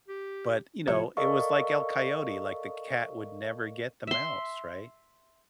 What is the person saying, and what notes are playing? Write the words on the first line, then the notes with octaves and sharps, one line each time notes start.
but, you know, it was, like, El Coyote, like, the c cat would never get the mouse, right?
G4
C3 F3 F4 C#5
A4 A#4 D5 D#5 F5 C#6
E5 C6